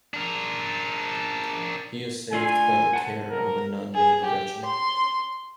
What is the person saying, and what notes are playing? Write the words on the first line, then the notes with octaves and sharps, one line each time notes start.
He is saved by the care of a nun named Gretchen.
D4 A#4
A3 D4 F4 G#5
F#5 A5
A#4
G#4
G4
C6